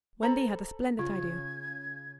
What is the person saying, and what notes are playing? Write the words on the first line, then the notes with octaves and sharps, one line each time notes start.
Wendy had a splendid idea.
A4 C5 A#5 B5
C#3 F4 G#6